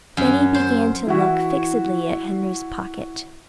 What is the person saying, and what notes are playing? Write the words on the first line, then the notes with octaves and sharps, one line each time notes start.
Benny began to look fixedly at Henry's pocket.
F#2
C5
E3 E4 F#4